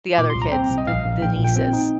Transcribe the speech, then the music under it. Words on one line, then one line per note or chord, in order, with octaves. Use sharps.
the other kids, the the nieces.
A#2 D6
C6
C2
A#5
C4 G5
C2
D#5
A#1 F5
A#1
A#1 G5
A#2
G5
C4 G5
D#4